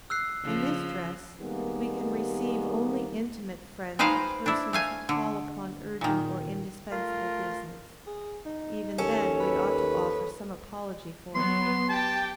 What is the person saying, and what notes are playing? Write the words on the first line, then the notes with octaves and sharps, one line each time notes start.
In this dress, we can receive only intimate friends or persons, who call upon urgent or indispensable business; even then we ought to offer some apology for it.
E6 F#6 C7
C#3 F3
C3 D#3 G3 G#3 A#3 B3
G#3 D#4 B4 C5 F5 G5
D4 E4
A3 F5 G#5
D3
A#2 D#3
A3 F4 A#4
G#4
D#4
D#2 C#4 A4
B4
F#3 B3 C6
G4 G5 A5